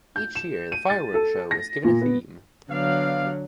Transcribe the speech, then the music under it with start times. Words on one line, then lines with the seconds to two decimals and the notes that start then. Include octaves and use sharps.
Each year, the fireworks show is given a theme.
0.16 G6
0.35 E7
0.72 D#7
0.90 A6
1.14 A4
1.51 A#6
1.84 A#2
2.01 B3
2.70 D3 F#3 B3 D5 F5